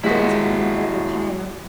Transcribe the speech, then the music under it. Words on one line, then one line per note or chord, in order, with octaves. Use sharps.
Denzil grew very pale.
D#1 G#3 E4 F#4 B6